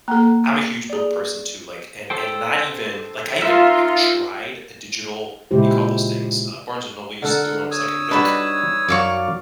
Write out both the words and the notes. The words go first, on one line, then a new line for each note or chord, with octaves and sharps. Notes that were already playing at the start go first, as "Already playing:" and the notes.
I'm a huge book person, too, like and and not even like, I even t have tried a digital what do you call those things? Uh, Barnes& Noble used to do one, it was, like, a Nook.
A#3 A4 F#5 A#5
G#4 D5
A4 C5 G5
D#4 F4 A#4 E5
A#2 C#3 G#3 E4 G4 C5
D3 A4 A#4 F#5
C#5 D#6 E6
G3 D4 D#4 F#4 B4 A5
F#2 F#3 D5 F5 C#6